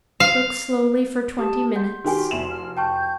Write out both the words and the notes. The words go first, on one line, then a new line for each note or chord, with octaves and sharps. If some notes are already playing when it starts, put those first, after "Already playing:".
Cook slowly for twenty minutes.
F5
G4 A5 D#6
F#5 C6 G6
D#3 F#4 G4 C5 G#5 C6
F1 E4 E5 C6 E7 F#7
F6
G5 A5 C#6 G6